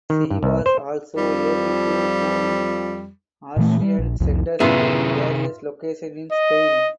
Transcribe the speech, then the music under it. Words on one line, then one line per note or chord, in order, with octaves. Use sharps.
She was also able to tour in Asturian centers in various locations in Spain.
D#3
G2
C2
C5
F2 F3 G3
A#2 E3 A3
G3
A#1
C2 F2
F#2 A2 C3 B3 F4 G#4 E5
D#5